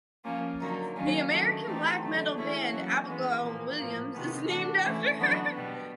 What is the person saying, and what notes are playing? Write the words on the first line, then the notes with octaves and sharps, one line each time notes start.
The American black metal band Abigail Williams is named after her.
F3 A#3 C#4 F4
D3 F#3 A#3 D#4
D#3 F#3 A#3 C#4 F4
D#3 F#3 A3 D4
E3 A3 C4 D#4 G4
D3 F#3 A3
E3 A3 C#4 E4 G#4
F#3 A#3 C#4 F#4
E3 G#3 B3
A#2 F3 A#3
A2 F3 A#3
C3 D#3 G#3 B3
E3 A3 D4 F#4 A4
E3 A3 C#4 E4
D3 F#3 B3 D4 F#4
B2 G3 B3